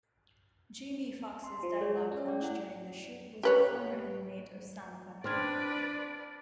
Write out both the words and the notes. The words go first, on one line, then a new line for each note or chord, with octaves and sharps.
Jamie Foxx's dialogue coach during the shoot was a former inmate of San Quentin.
C6
F3
G#3 C#5 D5
C#4
D5 G5
A3 E4 F#5
G4 B4 C#5
C4 D4 B4 D5 C6 F6 G#6